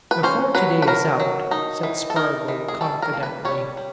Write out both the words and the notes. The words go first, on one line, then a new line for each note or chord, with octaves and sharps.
"Before today is out," said Spargo confidently.
B4
C#4 C5
F#3 B4
B4
F#3 A#4
F#3
D#4
E3
A4
D#4 A#4
E3
G#4
G3 A4
A#4
A#3
B4
G3 C#5
G3